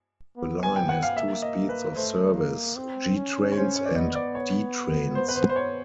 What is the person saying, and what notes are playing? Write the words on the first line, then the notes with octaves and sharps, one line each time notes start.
The line has two speeds of service, 'G' trains and 'D' trains.
B3
G#5
B3 G5
F#5
F5
A#3 E5
D#5
B4
A3 C5
A#3
C4
C#4
C#5
C#4 C5
C#5
D5
B3 D#5
D5
C#5
C5
B4
C5
C5
C#5